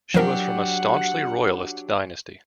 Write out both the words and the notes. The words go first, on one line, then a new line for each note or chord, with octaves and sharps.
She was from a staunchly Royalist dynasty.
F3 F#3 D4 G4 A#4 F#5